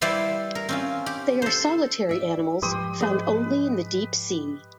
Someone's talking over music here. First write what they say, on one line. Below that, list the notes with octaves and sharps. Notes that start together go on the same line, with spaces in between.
They are solitary animals, found only in the deep sea.
G3 E4 B4 C5 D5 F5
A#4
C4 C#4 F4
G4
A4 C5
D5 E5
G#2 F3 G4 B4 C6 D#6
G#4 B4 D#5